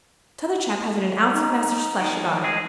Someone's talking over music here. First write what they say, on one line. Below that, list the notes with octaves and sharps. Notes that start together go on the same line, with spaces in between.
T'other chap hasn't an ounce of measter's flesh about him.
D#4
D#3 F3
G#3 C4 G#4